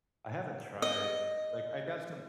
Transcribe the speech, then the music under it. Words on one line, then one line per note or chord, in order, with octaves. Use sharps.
I haven't tried. Like, I got some
D#5